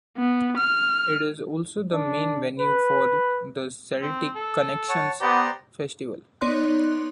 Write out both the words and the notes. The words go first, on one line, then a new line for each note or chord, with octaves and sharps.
It is also the main venue for the Celtic Connections Festival.
B3
F6
D4
B4
C4
A4
C#5 F#5 A5
B3 G4 C5 D5 A#5
B3 D#4 C#5 D5 C6 F#6